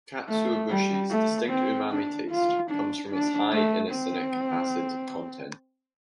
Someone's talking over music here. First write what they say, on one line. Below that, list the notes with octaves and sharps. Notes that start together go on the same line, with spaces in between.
Katsuobushi's distinct umami taste comes from its high inosinic acid content.
A3
G3
A3
C4
D4
F4
D4
D4
A3
C4